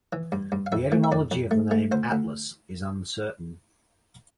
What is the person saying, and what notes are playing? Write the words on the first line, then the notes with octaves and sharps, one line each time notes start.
The etymology of the name "Atlas" is uncertain.
E3
G2
G2
F5
F2 E5
A3
E5
F2 D5
F2
A3
A3
D2 C5
D2